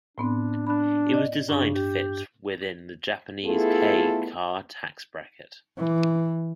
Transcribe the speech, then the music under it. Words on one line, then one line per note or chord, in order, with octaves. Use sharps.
It was designed to fit within the Japanese kei car tax bracket.
A2 B3 C4 D4
D4 B5 F#6
D5 D#5
G2 C#3 D4 C#6
G4
A3 B3 E4 F4 G#4 A4
E3